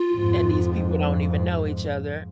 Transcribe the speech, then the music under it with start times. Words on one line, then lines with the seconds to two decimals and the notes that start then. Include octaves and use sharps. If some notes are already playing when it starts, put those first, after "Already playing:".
And these people don't even know each other.
Already playing: F4
0.15 F2 G#2